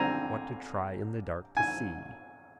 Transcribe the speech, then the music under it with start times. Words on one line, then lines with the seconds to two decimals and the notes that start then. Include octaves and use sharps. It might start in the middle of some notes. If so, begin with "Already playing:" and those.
Want to try in the dark to see.
Already playing: D3 G3 C4 G#5 A#5
1.57 G#5